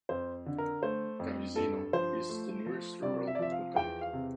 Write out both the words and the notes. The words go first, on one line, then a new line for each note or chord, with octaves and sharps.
Kamyzino is the nearest rural locality.
F2 C5
D3
A#4
A3 C5
F2
G2 A4
F3 C5
A3
F3
C3 D5
E5
D5
F3 E5
F5
E2 G5
F5
C3